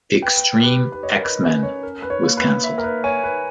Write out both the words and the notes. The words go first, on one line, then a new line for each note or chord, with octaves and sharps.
"X-Treme X-Men" was cancelled.
B4 G5
G4 B4
B4
C#5 D#5
A#4
B4
C#4 B4
C#5
A#4
B4
C#5
A#3
B4
E5
A#4
B4
C#5 G#5
B4